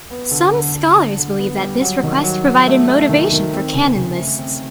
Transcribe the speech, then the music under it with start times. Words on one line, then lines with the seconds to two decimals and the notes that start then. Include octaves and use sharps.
Some scholars believe that this request provided motivation for canon lists.
0.11 B3
0.31 D3
0.53 D3
0.74 D3
0.96 D3
1.18 D3
1.39 B3
1.60 G3
1.82 F#3
2.03 D#3
2.24 F#3
2.45 F#3
2.67 A3
2.89 A3
3.09 D#3
3.32 D#3
3.53 C4
3.74 C#3
3.95 C#3
4.16 A3
4.38 C4